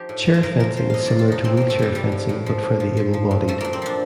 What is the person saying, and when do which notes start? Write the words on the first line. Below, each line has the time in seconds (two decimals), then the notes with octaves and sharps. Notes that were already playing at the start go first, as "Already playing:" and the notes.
Chair fencing is similar to wheelchair fencing, but for the able bodied.
Already playing: F3 D#4 G4
0.09 A2
0.26 F3
0.34 C5
0.43 F3 A#4
0.60 A2 A#4
0.77 F3 C5
0.90 A2 D#5 F5
1.06 A2 D5
1.19 F4
1.28 F3 D#4
1.44 A2 C4
1.57 A2 A#3
1.70 A3
1.79 A2 G3
1.95 F3 G3
2.12 A2
2.29 A2
2.46 F3
2.63 A2
2.80 F3
2.97 F3
3.14 F3
3.31 A#2
3.48 F3 A3
3.61 A#2 A#3
3.73 C4
3.82 F3 D4